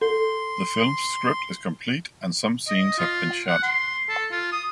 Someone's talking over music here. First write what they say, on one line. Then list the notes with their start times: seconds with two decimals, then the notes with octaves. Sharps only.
The film’s script is complete and some scenes have been shot.
0.01 A4 C6
2.68 D#5
2.99 F4
3.47 F#5
3.63 C6
4.09 A4
4.31 F4
4.52 D#6